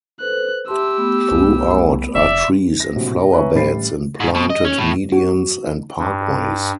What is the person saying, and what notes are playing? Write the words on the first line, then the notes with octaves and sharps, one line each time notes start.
Throughout are trees and flower beds in planted medians and parkways.
A4 B4 C5 F#6
G4 E5 A5 C6 E6
A3 B3 B5
C2
F1 D5 E5
A#6
A#1 A2 C3 F#3
B4 C#5 E5 G#5 A#5 C#6
A1 G3 B5 A6 C7
G#2
B2
D#5
C#4
A2
F#4
G2